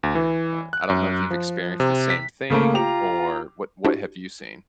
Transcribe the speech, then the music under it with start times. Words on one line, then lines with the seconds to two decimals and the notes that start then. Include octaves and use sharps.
Uh, I don't know if you've experienced the same thing? Or what what have you seen?
0.03 D2
0.15 E3
0.73 F#6
0.90 F#2
1.30 F3
1.80 C3
2.10 B6
2.50 C#3 A3 A#3
2.74 F4 G4 A#5 F7
3.85 D4 E4 F#4 G4